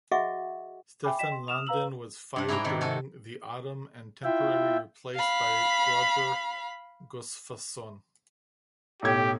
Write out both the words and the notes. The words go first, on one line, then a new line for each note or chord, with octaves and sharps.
Stefan Lundin was fired during the autumn and temporary replaced by Roger Gustafsson.
F#4 G#4 D#5 E5 F#5 C#6
E5 G5 G#5 B5 D6
D#5 G5 B6 E7
C6
D#6 F6 E7 F7
B4 F5 A#5 E6 F#7
G2 D4
G#2 E4 G#4 B4 G5 A#5
C3 D#3
C3 F#4 A4 G#5
E4 F4 E5 G5
F5 B5
B1 A2 G4 G#6